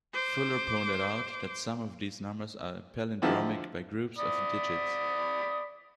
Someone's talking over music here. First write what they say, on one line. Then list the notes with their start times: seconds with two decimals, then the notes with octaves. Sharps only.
Fuller pointed out that some of these numbers are palindromic by groups of digits.
0.13 C5 D6
3.22 D3 D#3 F3 G#3 E4
4.18 D5 B5 D#6